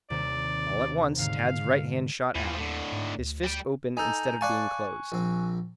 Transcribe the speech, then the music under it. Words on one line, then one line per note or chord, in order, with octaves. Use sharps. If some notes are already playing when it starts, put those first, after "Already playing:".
All at once Tad's right hand shot out, his fist open instead of being closed.
D#2 C3 D5
G#2 D3 F5
D#2 E3 F3
A2 D3
G#2
D2
G3 G5
D#4 A4 G#5 A#5 G6
D5 F5 G#5 A5 C#6 F#6
A#1 C4